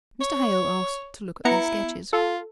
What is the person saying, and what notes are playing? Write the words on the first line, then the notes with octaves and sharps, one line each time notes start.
Mr. Hale asked to look at their sketches.
C#5
B3 E4 A#5 C#7
F4 A4